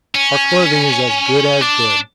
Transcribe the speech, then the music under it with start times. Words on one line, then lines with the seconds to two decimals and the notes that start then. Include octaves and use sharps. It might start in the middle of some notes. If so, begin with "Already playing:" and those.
'Our clothing is as good as good.
0.15 C#4
1.61 D4